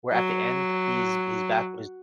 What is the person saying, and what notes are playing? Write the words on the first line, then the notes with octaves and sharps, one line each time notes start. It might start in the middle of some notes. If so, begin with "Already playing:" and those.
where at the end, he's he's back with his
F#3